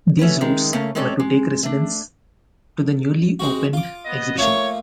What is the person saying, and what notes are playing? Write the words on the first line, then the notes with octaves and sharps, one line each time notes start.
These routes were to take residents to the newly opened exhibition.
A3 C#4 F#4 B4
D#3 G#3
C#3 A3 A#3 C#4
G#3 C4 C#4 A4 C#5 D5
G#3
A3 D4
G#3 C4 F#4
F4 D6
B3 D#5
F3 A3 A#3 C#5